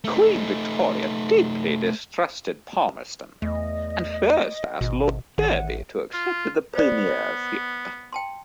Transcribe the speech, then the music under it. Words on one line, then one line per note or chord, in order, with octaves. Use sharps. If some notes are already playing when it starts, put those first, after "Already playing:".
Queen Victoria deeply distrusted Palmerston and first asked Lord Derby to accept the premiership.
A3 D#4
E2 A3 D#5
G#1 B2
A1 D#3 F#5
F4
B3 C5 D5
G5 A5 C6